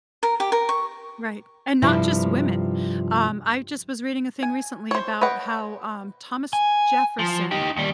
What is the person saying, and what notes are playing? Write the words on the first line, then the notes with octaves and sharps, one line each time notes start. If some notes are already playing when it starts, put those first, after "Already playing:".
Right, and not just women. Um, I just was reading a thing recently about how, um, Thomas Jefferson
A#4
G4
A#4
C#6
G2 C3 F3 E4
G#5
C5 C#5
B4 C#5 D#5 F#5 G5
G#5
F3
D#4 G4
D#2 G3